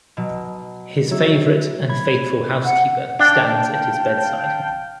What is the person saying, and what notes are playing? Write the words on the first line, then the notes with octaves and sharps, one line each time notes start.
His favourite and faithful housekeeper stands at his bedside.
B2 F#3
F#3 E4
B5 G#6
F#5
D4 F5 G5 A5